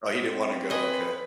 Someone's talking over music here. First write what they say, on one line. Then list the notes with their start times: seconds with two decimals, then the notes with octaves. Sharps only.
Oh, he didn't wanna go, okay.
0.24 C4
0.70 B4 D#5 G#5